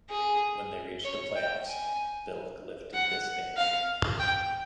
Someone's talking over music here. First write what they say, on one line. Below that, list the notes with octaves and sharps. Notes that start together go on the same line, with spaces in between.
When they reached the playoffs, Billick lifted this ban.
G#4
C#5
G5
G#5
F#5
F5
G5